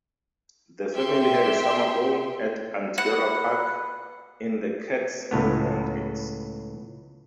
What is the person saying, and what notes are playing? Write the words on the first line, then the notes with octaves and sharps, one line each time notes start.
The family had a summer home at Onteora Park in the Catskill Mountains.
G4 E5 G5 C6
B4 F#5
C#2 A2 B3